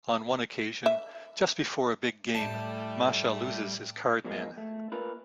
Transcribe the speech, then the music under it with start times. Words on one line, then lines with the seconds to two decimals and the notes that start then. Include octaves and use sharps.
On one occasion, just before a big game, Macha loses his card man.
0.86 E5
2.35 A2 G3 A3 A5
4.25 B2 F3 G#3 A#3
4.58 A3
4.92 A#3 F4 A#4 B4